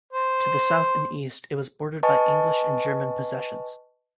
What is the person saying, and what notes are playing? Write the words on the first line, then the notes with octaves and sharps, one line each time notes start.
To the south and east it was bordered by English and German possessions.
C5
B4 D#5 G#5 A5 C#6